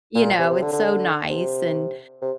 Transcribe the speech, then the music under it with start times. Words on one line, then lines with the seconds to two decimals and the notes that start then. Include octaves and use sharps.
you know, it's so nice, and,
0.15 A#2
0.39 C3
0.50 C3
0.62 D3
0.73 D3
1.30 C3
2.22 C3